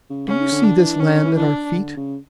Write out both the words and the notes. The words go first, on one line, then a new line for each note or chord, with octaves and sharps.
'Do you see this land at our feet?'
C#3
C#3 C#4
D3
D4
E3
D3 C#4
E3
D4
D3
C#3